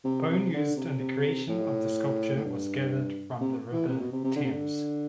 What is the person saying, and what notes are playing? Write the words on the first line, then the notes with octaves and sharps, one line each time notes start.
Bone used in the creation of the sculpture was gathered from the River Thames.
C3
C3
D3
C3
C3
A2
A2
G2
C3
E3
C3
B2
C3
C3
D3
C3
D3